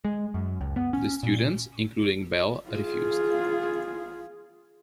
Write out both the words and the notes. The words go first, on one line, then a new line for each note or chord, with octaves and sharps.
The students, including Bell, refused.
G#3
F#2
C#2
B3
C#4
A#2
F4 G#4